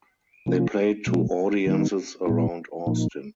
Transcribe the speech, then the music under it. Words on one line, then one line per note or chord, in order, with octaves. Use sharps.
They played to audiences around Austin.
C3 F3 A#3 C#4 F4
B2 F#3 A3
D#3 G3 B3 D#4
A#2 G3 B3 E4
A#2 F3 A#3 D#4